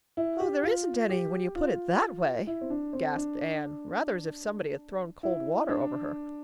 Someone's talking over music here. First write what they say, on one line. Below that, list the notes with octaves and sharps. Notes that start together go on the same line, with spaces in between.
"Oh, there isn't any, when you put it that way," gasped Anne, rather as if somebody had thrown cold water over her.
E4
G4
F4
G4
F4
E4
C4
D4
C4
D4
E4
D4